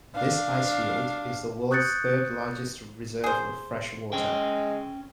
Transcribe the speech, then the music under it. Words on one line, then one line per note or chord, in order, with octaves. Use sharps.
This ice field is the world's third largest reserve of fresh water.
D4 F5
C#6 D#6 F#6 G6 A6 C#7
G#4 C5
G#3 C#4 G5